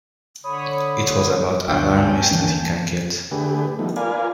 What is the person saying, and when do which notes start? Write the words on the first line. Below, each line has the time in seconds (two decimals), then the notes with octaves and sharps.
It was about alarmist as you can get.
0.44 D3 C#5 B5 D#6
1.68 D2 B2 F4 F#4 G5
1.98 C#4 G#5 A5 G6
2.31 D2 E3 A#3 C#4
3.31 D3 A3 G4 G#4 B4
3.79 F3 G3 A3 B3 D#4
3.96 F4 A#4 B4 D5 F5 G#5